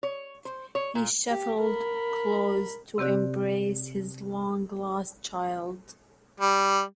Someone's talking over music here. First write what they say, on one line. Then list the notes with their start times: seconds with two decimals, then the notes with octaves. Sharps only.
He shuffled close to embrace his long lost child.
0.03 C#5
0.45 C5
0.75 C#5
0.95 A#2
1.29 G4
1.60 A#4 B5
2.98 C3 C4 G4 D5 F#6
6.40 G3